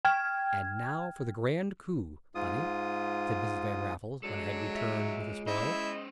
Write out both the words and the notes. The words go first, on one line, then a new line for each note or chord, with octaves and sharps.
"And now for the grand coup, Bunny," said Mrs. Van Raffles, when I had returned with the spoil.
G5 F6 G#6
G#2 F4 D#6
F#3 G#3 D4 A4
F4 C#5 E5
C#4 E4 C5 D#5